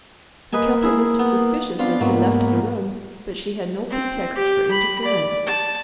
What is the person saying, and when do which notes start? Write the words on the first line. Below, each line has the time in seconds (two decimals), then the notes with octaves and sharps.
The Kelpie looked suspicious as he left the room, but she had no pretext for interference.
0.53 A#3 B4 D#5 G#5
0.83 E4 G#4
1.19 B3
1.79 B3 C4 D4 F4 F5
2.01 B1 G#2 F#3 A#3 B3
3.90 C4
4.35 G4
4.71 B5
5.05 D5
5.46 A5